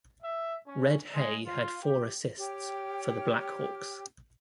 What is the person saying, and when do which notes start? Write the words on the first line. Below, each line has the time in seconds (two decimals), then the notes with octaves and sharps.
Red Hay had four assists for the Black Hawks.
0.22 E5
0.65 C#4
1.12 G#3
1.46 F4
1.82 G4
2.39 G4 C#5 G5 F6